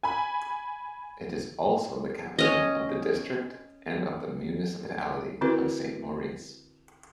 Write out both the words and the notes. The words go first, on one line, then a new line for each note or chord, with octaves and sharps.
It is also the capital of the district and of the municipality of Saint-Maurice.
G#5 B5
C#4 D#5
D3 C4 E4 F#4 A#4 B4